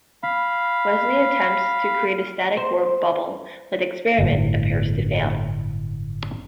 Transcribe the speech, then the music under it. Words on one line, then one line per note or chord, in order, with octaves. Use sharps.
Wesley attempts to create a static warp bubble but the experiment appears to fail.
F5 B5
C5
G1 A2